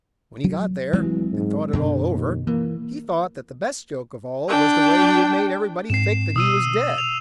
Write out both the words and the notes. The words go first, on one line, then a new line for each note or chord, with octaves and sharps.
When he got there and thought it all over, he thought that the best joke of all was the way he had made everybody think that he was dead.
F#3
E3 F#3 G#3 C4
G#2
F#2 B2 D3
D#2
E3 A#3
D4 G5
G#2 C4 C7 E7
B2 D#6 E6 D#7
F7